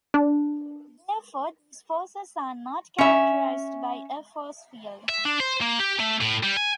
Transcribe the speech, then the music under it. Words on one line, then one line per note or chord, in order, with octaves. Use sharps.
Therefore these forces are not characterized by a force field.
D4
C#4 E5
E5
D4
C5
A#3
G4
A3
A2
G3
G#5